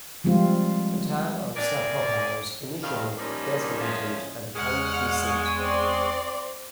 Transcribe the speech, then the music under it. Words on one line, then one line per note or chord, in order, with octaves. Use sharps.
The town of Sapulpa was initially designated as the county seat.
F3 G3 G#3 C4 F4
C4 G#4 A#4 D5
D2 G2 D3 D#3 C4 F5
D#3 F3 G3 A#3 C#4 D#4
E2 A#2 F3 G#3 C#4 F4
E2 G#3 F#5 C#6 F6
C4 D5 C6